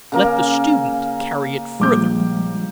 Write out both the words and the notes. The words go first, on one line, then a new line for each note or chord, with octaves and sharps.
Let the student carry it further.
C#3 A#3 A#5
A#1 F3 G3 G#3 D6 G6